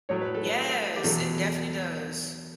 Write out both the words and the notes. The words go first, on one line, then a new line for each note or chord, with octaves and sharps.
Yes, it definitely does.
A2 F#3 A3 C#5
B4
A4
B4
G4
E2 B2 F#3 A3 A4